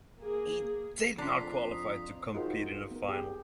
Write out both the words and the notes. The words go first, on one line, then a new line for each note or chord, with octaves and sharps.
He did not qualify to compete in the final.
A#3 G#4
F2 D4 A#5 C6 B6 C7
D#6
D#4 F4 F#4 G#4 A#4 C5
B3 A#4
G4 G#4